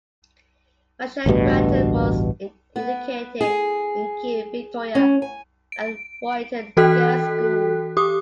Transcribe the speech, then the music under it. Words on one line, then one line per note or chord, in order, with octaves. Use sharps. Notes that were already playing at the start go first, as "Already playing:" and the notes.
Michelle Grattan was educated in Kew, Victoria at Ruyton Girls' School.
A1 D2 G2 B2
B3
G#4
C#4
G#5
D7
E3 F#4 A4 G5 F#6 B6
G4 D6 D#6